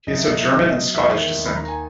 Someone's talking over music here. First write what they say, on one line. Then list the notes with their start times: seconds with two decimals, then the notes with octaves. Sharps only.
He is of German and Scottish descent.
0.07 F#2 D#5
0.17 E5
0.28 C#3 D#5
0.39 E5
0.49 B2 D#5
0.59 E5
0.70 F#3 D#5
0.94 E2 E5
1.15 D#3
1.37 D#2
1.46 B5
1.56 D#3 A#5
1.68 G#5